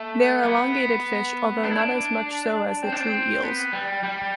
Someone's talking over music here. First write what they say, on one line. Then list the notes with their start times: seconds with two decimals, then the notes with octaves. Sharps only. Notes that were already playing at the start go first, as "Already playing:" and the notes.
They are elongated fish, although not as much so as the true eels.
Already playing: A3
0.43 B3
1.63 D4
1.71 E4
1.79 D4
2.83 C4
2.92 D4
3.00 C4
3.43 B3
3.73 G3
4.03 G3